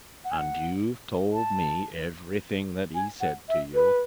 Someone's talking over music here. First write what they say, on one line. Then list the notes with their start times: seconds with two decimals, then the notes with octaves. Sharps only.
"And you've told me everything that he said to you?"
0.24 F#5
0.31 G#5
0.38 F#5
1.33 A5
2.94 G#5
3.20 F#5
3.49 E5
3.74 B4